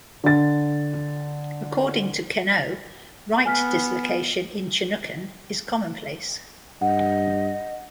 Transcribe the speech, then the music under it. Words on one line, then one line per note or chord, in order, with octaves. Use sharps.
According to Queneau, right dislocation in Chinookan is commonplace.
D3 A6
B3 G#5 F6 B6
G2 D#5 F#5